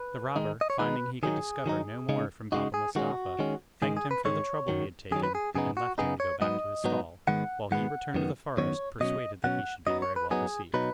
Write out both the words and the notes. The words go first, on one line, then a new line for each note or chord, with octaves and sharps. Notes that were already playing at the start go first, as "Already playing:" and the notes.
The robber, finding he could discover no more from Baba Mustapha, thanked him for the trouble he had taken, and left him to go back to his stall, while he returned to the forest, persuaded that he should be very well received.
Already playing: B4
D#3 G#3 D#4
D#5
C#5
D#3 G#3 D#4 B4
D#3 F#3 D#4 G#4
D#3 F#3 D#4
C#3 G#3 D#4
C#3 G#3 D#4 F#4
G#4
D#3 G#3 C#4 F#4
D#3 G#3 C#4
G#2 D#3 G#3 G#4
G#4
B4
G#2 D#3 G#3 C#5
F#2 D#3 F#3
F#2 D#3 F#3 G#4
B4
G#4
F#2 C#3 B3 D#4 G#4
F#4
F#2 C#3 B3 D#4 G#4
C#5
G#2 F#3 B3 D#4 D#5
G#2 F#3 B3 D#4
G#2 D#3 G#3 B3 F#5
G#2 D#3 G#3 B3 F#5
F#2 D#3 B3
F#2 D#3 B3 C#5
B2 F#3 C#4 D#5
B2 F#3 C#4 F#5
F#2 F#3 B3 D#4 D#5
C#5
B4
F#2 F#3 B3 D#4 G#4
B2 F#3 D#4 B4